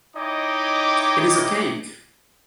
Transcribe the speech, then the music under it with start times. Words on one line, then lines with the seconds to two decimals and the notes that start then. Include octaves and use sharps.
It is a cake.
0.17 D#4 E4 C#5 D#5 G5 D6